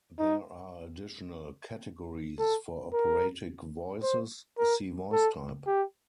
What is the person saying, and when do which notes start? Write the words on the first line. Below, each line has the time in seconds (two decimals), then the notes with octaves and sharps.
There are additional categories for operatic voices, see voice type.
0.19 D#4
2.39 A4
2.93 A#4
4.03 C5
4.58 A#4
5.12 A4
5.67 G4